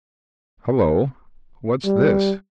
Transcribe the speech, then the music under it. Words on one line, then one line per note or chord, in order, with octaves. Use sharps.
"Hullo, what's this?"
G3